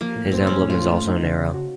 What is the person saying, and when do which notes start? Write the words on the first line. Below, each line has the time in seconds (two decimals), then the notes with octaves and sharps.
His emblem is also an arrow.
0.01 F3 A#3
0.16 A2
0.31 A2 C4
0.47 F3 C#4
0.62 A2
0.70 F4
0.77 A2
0.93 A3
1.08 D#4
1.23 C#3
1.39 C#3
1.54 F#4